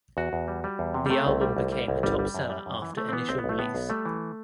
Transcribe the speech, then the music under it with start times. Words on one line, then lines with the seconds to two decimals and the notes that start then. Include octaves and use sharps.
The album became the top seller after initial release.
0.17 E2 F#4
0.33 E2
0.48 G3
0.64 G3
0.79 E2
0.94 C3
1.06 G3
1.10 C3 A3
1.27 C2
1.41 G3
1.57 C2
1.72 G3
1.88 C2
2.03 G1 G3
2.19 G3
2.34 F#2
2.50 G3
2.66 F#2
2.82 E3
2.97 E3 A3
3.09 C4
3.12 E3 B3
3.29 B1 C4
3.39 B3
3.44 B1
3.49 A3
3.59 A2 B3
3.75 B1
3.90 G3 A3
4.05 E3